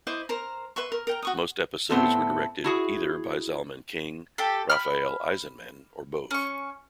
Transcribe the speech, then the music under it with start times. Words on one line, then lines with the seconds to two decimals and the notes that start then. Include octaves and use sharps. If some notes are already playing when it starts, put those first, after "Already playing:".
Most episodes were directed by either Zalman King, Rafael Eisenman or both.
0.07 E4 C5 D#5 D6
0.29 A#4 C5 A#5
0.76 B4 E5 C6 C#6
0.92 A#4
1.07 A#4 G5 A#5
1.22 F#4 C#6 D#6
1.90 A2 B3 C4 A4
2.64 E4 F#4 G#4
4.38 G4 A4
4.70 B5 F6
6.31 C#4 C#6